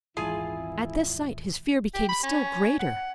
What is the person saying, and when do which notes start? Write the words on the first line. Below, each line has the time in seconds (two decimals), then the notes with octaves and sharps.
At this sight his fear became still greater.
0.17 D#1 G#1 E3 G#3 E4 F4 G#4 G#5
1.94 G4
2.09 B5
2.24 C#4
2.80 F#5